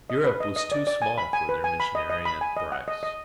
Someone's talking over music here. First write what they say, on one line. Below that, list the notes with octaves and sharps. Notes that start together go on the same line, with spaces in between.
Europe was too small for their missionary enterprise.
D#5
B4
D#5
D#5
D5
D5
G#5
B5
G#5
B4
G#5
B5
D#5
D#5
B5
G#5
D#5
F#5
D#5
D#5